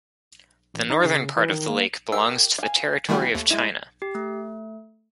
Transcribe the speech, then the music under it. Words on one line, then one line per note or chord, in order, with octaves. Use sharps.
The northern part of the lake belongs to the territory of China.
A1
D#4
C#3
E3
D#3
A#3
G4 A#4 F5 E6
F5 G#5
D#3 E3 G3 A3 F#4 G4
D#2 A3
G#3 E4
G4
A3